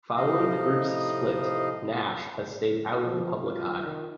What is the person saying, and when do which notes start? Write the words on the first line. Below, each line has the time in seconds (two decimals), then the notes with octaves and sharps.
Following the group's split, Nash has stayed out of the public eye.
0.16 A2 C3 F3 D#4 D#5 F5
3.05 F3
3.44 F4
3.83 D#3